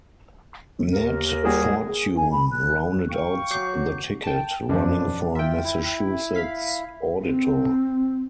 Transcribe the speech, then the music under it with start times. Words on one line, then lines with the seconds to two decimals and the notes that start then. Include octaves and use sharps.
Nat Fortune rounded out the ticket, running for Massachusetts Auditor.
0.92 D#2 A#4
1.44 G3 A#3 F#4 G#4
1.87 G#4
2.17 G#5
2.32 B5
2.52 F#6
3.09 F5 G5 C#6
3.51 F#3 D6 G6 C7
4.24 G5 A5
4.69 F#2 B2 F3 D4
5.35 F4 E5 G5
5.64 E4
6.35 F5 B6
7.22 C4